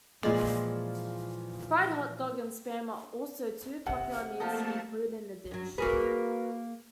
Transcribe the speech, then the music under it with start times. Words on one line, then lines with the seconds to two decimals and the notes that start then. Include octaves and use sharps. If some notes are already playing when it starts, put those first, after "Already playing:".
Fried hotdog and Spam are also two popular meats to include in the dish.
0.23 A#2 E3 F3 G#3 G#4 D5
3.87 C3 F#5
4.40 F3 A3 A#3 D#4 A4 F5 A5
5.51 F#2 F#3
5.78 A#3 F#4 G#4 A#4 B4